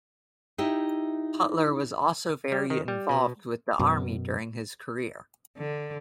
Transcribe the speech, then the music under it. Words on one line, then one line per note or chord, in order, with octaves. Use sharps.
Cutler was also very involved with the Army during his career.
D#4 E4 G4 E5
G3
D#3
G3
B2
F#2 B2
D3